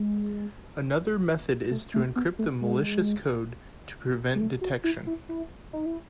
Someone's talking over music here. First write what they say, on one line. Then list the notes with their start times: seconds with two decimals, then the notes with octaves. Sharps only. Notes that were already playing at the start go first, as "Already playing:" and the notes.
Another method is to encrypt the malicious code to prevent detection.
Already playing: G#3
1.71 A3
1.94 A3
2.16 B3
2.39 A3
2.61 G#3
4.35 G#3
4.40 A3
4.61 F#4
4.84 E4
5.07 E4
5.29 E4
5.73 D#4
5.86 E4